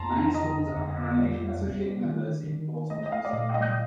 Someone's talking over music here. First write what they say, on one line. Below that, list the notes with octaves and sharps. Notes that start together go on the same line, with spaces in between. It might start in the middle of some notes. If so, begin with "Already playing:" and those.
Nine schools are currently Associate members in four sports.
Already playing: F2 A5 A#5 C6
A#5
D3 D#5
F2
D#5
G3 D5
G3
D#3
D#3
A3 D#5
D#5
F5
D5
A#2 D#5
D#5